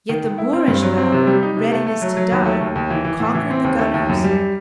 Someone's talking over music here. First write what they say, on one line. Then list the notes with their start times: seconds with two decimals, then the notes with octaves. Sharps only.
Yet the Moorish valour, readiness to die, conquered the gunners.
0.09 D#3
0.24 D#3
0.38 E4
0.53 C4
0.68 G2
0.83 F#3
0.98 C4
1.12 C3
1.27 G3
1.43 D#4
1.57 C3
1.72 A3
1.87 A3
2.02 F#3
2.17 F#3
2.32 D#2
2.46 A3
2.61 D#2
2.75 D#2
2.90 E3
3.05 E3
3.20 A2
3.35 E3
3.50 C4
3.64 D#2
3.79 A3
3.94 D#2
4.09 F#2
4.24 G3